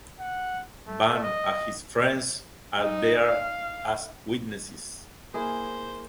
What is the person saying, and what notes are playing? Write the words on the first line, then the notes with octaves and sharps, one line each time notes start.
Van and his friends are there as witnesses.
F#5
A3
D#5
D#4
F5
A#3 E4 G#4 C5